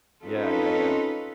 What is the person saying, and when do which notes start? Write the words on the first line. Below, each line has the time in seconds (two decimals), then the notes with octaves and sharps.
Yeah, yeah, yeah.
0.24 C4 C#4 D#4 F4 A4 B4